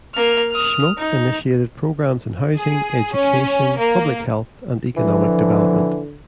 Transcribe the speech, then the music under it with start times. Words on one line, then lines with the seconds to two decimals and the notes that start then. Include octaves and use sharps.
Schmoke initiated programs in housing, education, public health and economic development.
0.15 A#3 F6
0.51 D#6 F6
0.98 D#4
2.55 G#4
3.14 C#4
3.78 A#3
4.97 D3 E3 F3